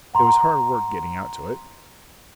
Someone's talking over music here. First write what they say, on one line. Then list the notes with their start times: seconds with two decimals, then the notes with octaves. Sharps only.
It was hard work getting out to it!
0.14 F#5 A#5 C6